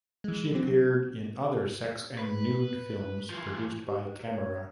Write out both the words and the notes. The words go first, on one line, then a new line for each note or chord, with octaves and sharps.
She appeared in other sex and nude films produced by "Kamera".
E3 G#3
D3 F#3 C4
B4
E3 F3
G4
B4
C#5